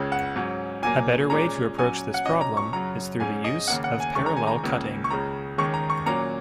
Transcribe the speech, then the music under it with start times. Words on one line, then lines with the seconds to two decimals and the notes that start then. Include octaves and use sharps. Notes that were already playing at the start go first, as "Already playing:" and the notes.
A better way to approach this problem is through the use of parallel cutting.
Already playing: C#2 C#3 G#3 C#4
0.12 F#5
0.36 G#2 F#3 C#4
0.83 A#2 F#3 A#3 G#5
1.30 A#2 G#3 C#4 A#5
1.78 A#2 F#3 C#4 G#5
2.14 F#5
2.26 A#2 F#3 C#4 D#5
2.41 A#5
2.57 C#6
2.73 F#2 C#3 F#3 A#5
3.20 G#2 G#3 C#4 G#5
3.44 D#5
3.68 D#2 C#3 A#3 C#4 F#5
3.84 F#5
4.00 G#5
4.15 D#2 D#3 G#3 C#4 C#6
4.26 A#5
4.37 G#5
4.47 A#5
4.64 C#2 C#3 A#3 C#4
5.04 C#6
5.11 C#2 C#3 G#3 A#5
5.58 D#2 D#3 G#3 C#4 C#6
5.74 A#5
5.90 C#6
6.06 A#2 F#3 A#3 C#4 A#5